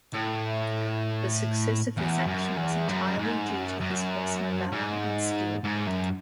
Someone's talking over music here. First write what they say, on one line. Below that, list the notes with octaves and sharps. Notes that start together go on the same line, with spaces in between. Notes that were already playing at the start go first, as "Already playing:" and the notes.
The success of this action was entirely due to his personal valour and skill.
A2
E2
F#2
E2
F#2
G#2
F#2
F#2
G#2
G#2
F#2